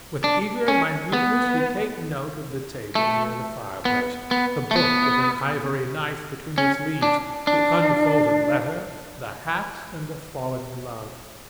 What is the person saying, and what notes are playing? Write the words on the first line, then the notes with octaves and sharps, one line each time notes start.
With eager minuteness you take note of the table near the fireplace, the book with an ivory knife between its leaves, the unfolded letter, the hat and the fallen glove.
D4
C#4
B3
A3
B3
B3
A3
B3
C#4
D4
D4